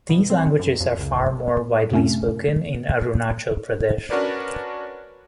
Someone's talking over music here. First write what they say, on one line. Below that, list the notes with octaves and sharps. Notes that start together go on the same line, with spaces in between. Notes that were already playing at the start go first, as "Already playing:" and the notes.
These languages are far more widely spoken in Arunachal Pradesh.
B2
C4
F#2
F2
C#2
G1
F#2 C3 A3 C4 C#4
C#4 D4 F#4 A#4 B4 D5